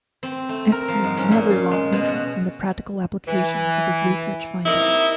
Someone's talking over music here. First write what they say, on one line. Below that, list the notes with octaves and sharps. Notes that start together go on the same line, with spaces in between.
Exner never lost interest in the practical application of his research findings.
C4
A3
A#4
F3
G#2
C#4
A#2
F4
G#3
B2
F#4
E3
C3 A#3 D#4 E4